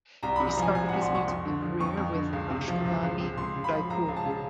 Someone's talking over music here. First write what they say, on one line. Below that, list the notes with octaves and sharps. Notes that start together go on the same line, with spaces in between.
He started his musical career with Akashvani Jaipur.
C2 A#5
C3 B5
A#5
F3 G#5
C2 G#5
C2 F#5
C6
C3 C#6
F2 C6
D3
F3
F2 C#6
F2
D3
C#2
C3
F3
C#2
C#2
C3
C#2 C6
C#3
B5
F3
C#2 A#5
C#2
A5
C#3